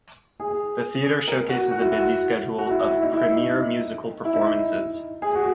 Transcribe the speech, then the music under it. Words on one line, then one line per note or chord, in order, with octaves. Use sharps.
The theater showcases a busy schedule of premier musical performances.
G#4
A#4
F#4
F#4
E4
F#4
F#4
E4
E4
E4
D#4
E4
E4
D#4
E4
D#4
G#4
F#4